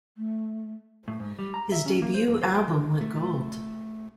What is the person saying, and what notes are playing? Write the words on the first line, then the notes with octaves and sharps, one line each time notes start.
His debut album went gold.
A3
A2
G#2
G3
A#5
E5
C#4
A#3
C5
F2
C5
G5
D#3
A3